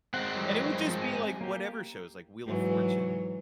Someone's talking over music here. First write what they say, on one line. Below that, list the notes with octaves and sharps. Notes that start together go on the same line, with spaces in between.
And it would just be like whatever shows, like Wheel of Fortune.
G#3 C4 F#5
E3 F#3 G3
F3
G#5
A#3 G4
G#2 E3 F#3